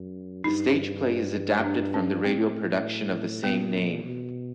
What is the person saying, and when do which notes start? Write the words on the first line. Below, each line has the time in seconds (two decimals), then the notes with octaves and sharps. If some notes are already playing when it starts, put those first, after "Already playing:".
The stage play is adapted from the radio production of the same name.
Already playing: F#2
0.44 G2 D#4
1.64 D4
1.94 C#4
2.24 A2 C4
3.44 A#2 B3
4.04 B2